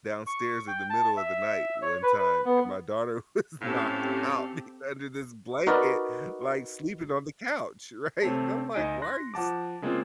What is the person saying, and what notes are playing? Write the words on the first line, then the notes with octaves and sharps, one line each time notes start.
downstairs in the middle of the night one time, and my daughter was knocked out be under this blanket, like, sleeping on the couch, right? And I'm like, "Why are you s
C#6
G5
A5
E5
C#5
B4
B4
B3
A2 C4 C#4 G4 A4 F5
D#4 F#4 A#4 B4 D5
C3 A3 C4 C#5 A5
D2 D#4 D#5 G#5 D7
C6 F#6 A#6
F3 F#5 A5 D6
C#3 G#3 A#3 C4 F4